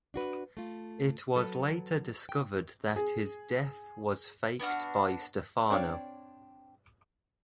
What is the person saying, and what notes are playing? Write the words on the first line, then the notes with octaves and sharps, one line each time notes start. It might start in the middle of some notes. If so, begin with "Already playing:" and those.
It was later discovered that his death was faked by Stefano.
D4 F#4 B4
A3 F4
F#3 A4 B4
G5
G#4
B3 D4 F#4 F6
C4 D4 C#5 D5 F5